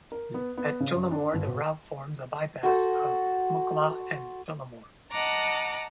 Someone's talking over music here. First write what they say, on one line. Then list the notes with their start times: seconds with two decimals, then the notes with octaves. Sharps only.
At Tullamore the route forms a bypass of Mucklagh and Tullamore.
0.12 A#4
0.34 B3
0.58 B3
0.80 C#3
0.94 F#2
1.11 D4
1.33 G1
1.47 B2
2.63 F#4 A4 C5
5.11 D#5 F#5 A5 A#5 D6 F#6